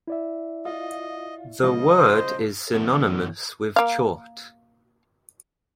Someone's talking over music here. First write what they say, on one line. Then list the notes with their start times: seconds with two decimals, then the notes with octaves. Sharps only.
The word is synonymous with chort.
0.07 E4 D5 E5
0.65 F4 D#5
1.63 C#3 F3 G#3 D#5
1.95 C5
2.74 D3 E3 F#3 A3 B3 E4
3.76 A#3 F5